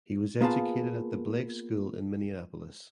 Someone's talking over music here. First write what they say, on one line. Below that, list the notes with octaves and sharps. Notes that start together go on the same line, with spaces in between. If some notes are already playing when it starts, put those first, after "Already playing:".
He was educated at the Blake School in Minneapolis.
A#3 B3 F4 G#4 A5